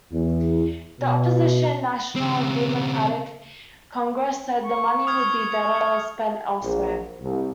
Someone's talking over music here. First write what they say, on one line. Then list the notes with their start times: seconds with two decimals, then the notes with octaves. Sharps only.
The opposition National Democratic Congress said the money would be better spent elsewhere.
0.13 E2
1.01 B2
2.16 C#3 C4
4.63 C#6
5.07 D#6 F6 G#6
6.62 A#1
7.21 C2